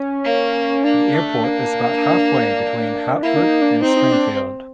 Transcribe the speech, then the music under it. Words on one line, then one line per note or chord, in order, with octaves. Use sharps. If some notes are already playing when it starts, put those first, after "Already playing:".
The airport is about halfway between Hartford and Springfield.
Already playing: C#4
A#3
A#3 D4
A3
A#3
A#3 E4
D4
D#4
D4
C4 D#4
D#4
D4